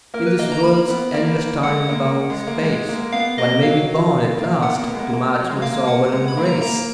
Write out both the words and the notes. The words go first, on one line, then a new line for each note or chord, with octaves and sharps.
In this worlds endless time and boundless space One may be born at last to match my sovereign grace.
A#3 A#4
B4
A#3 D#5
A#5
A#3 B5
B3
A#3
G#3 F#5
A#3
G#3
A#3
G#3
A#3
B3 F5
A#3 D#5
F#3 F5
A#3
B3 F#5
A#3
B3
G#3
A#3
A#3
F#3
G#3
A#3 F5
F#5
G#3 F#5
B5
A#3
A#5
A#3 A#5